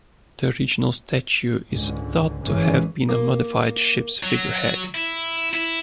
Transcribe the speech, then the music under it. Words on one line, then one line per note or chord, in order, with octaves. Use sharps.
The original statue is thought to have been a modified ship's figurehead.
C#2 G#2 D3
G1 G#2 E3 G#3 A#3 C#4
A#3
F#3
E4
E4